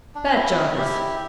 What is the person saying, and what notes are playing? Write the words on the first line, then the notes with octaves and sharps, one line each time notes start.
Bat Jarvis.
D4
E4
E4 G4